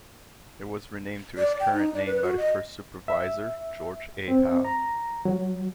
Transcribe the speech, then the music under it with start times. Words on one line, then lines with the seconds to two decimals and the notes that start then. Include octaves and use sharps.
It was renamed to its current name by the first supervisor, George A. Howe.
1.37 D5
1.60 G5
1.73 D#4
1.94 D5
2.06 B4
2.23 F#4
2.37 D#5
3.08 E5
4.28 C4
4.64 A#5
5.25 F#3